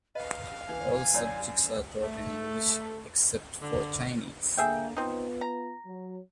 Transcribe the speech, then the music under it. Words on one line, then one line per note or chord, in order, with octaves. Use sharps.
All subjects are taught in English, except for Chinese.
B4 D#5 F5
E3 G#5
F#2 E4 C#5 D5
A3
D3
D3 A#3 G#4 A4 E5 G5
B3 C4 D#4 F4 B4
A#5
F#3